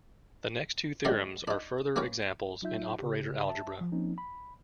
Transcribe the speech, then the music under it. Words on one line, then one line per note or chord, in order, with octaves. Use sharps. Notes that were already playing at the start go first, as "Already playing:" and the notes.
The next two theorems are further examples in operator algebra.
D3 D#3 G#3 A3 C#4 D4
D4 D#4
A#3 C#4 B4 C#5 G5
F#3 D#4 F4 E5 G6
C#3 G4
E5 A5
F3
F3 A#3 C4 C#4 D#4
B5